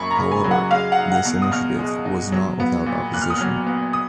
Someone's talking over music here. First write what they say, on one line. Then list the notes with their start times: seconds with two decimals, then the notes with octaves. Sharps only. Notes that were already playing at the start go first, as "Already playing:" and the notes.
However, this initiative was not without opposition.
Already playing: F#2 F#3 A#3 B5 C#6
0.11 A#5
0.17 C#3
0.31 G#5
0.44 F#3
0.51 F#5
0.71 G#3 F5
0.92 F#5
0.99 D#4
1.12 F#5
1.25 B2
1.42 D#6
1.52 B2 F6
1.79 G#3
2.05 D#4
2.32 F#3
2.60 B3
2.86 A#2
3.13 A#2 F#6
3.21 F6
3.30 D#6
3.38 F#3 F6
3.66 B3
3.93 D#6